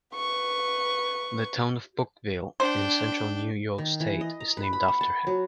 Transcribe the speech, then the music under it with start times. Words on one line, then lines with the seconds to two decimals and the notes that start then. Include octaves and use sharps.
The town of Bouckville, in central New York state, is named after him.
0.15 B4 C#6
2.60 D4 C5 G5
3.78 D#3
4.00 E3
4.21 D#5
4.40 A#5
4.57 B4
4.73 B5
4.88 F#5
5.01 A5
5.27 F#3